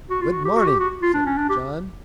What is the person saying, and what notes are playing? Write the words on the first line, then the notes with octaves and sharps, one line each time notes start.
"Good morning," said Uncle John.
F#4
F4
F#4
G4
F#4
G4
F#4
F4
D4
C#4
D4
G4